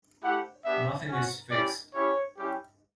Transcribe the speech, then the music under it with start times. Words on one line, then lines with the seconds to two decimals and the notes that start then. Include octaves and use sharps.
Nothing is fixed.
0.21 A3 E4 G4 F#5
0.64 B3 D4 G4 E5
1.08 C#4 F#4
1.50 G3 C#4 E4 G4 D5
1.93 C#4 E4 G4 C#5
2.37 G3 C#4 E4 G4